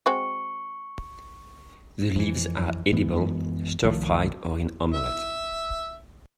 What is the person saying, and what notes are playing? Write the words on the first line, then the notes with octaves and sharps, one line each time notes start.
The leaves are edible, stir-fried or in omelette.
G#3 C4 F#4 C#6
F2 E3
F#2 E3 G#3 B3
C2 D#3 F3 A3
E5